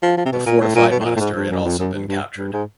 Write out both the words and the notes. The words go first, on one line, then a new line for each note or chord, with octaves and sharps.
The fortified monastery had also been captured.
F3
F3
C3
B2
A#2
A2
A#2
B2
A2
A#2
A2
G#2
G2
F#2
F2
F#2
G2
G2
G2
G#2